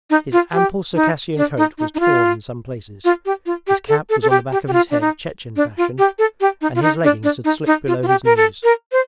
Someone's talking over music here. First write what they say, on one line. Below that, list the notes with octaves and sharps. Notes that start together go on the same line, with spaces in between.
His ample Circassian coat was torn in some places, his cap was on the back of his head Chechen fashion, and his leggings had slipped below his knees.
D#4
F4
G4
D#4
D4
D#4
D#4
D#4
F4
F4
G4
F4
G4
A4
A4
A4
G4
G4
G4
F4
D4
D#4
D4
F4
G4
A4
G4
D#4
F4
D#4
D4
D4
D#4
D#4
F4
F4
G4
A#4
A4
A#4
C5